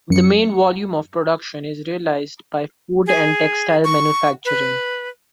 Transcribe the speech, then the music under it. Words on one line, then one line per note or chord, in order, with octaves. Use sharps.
The main volume of production is realized by food and textile manufacturing.
F#2 C#7
G#4
C#6
B4